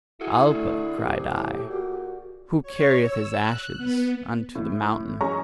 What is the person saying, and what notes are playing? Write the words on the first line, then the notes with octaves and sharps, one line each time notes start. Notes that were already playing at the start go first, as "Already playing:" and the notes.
Alpa! cried I, who carrieth his ashes unto the mountain?
E4 F#4 G#4 A4
D3 A3
C2 G4
A2
A#2 F#4
C#5
E6
F#6
B3
A2
F#2 G#3 C#4 A#5 C#6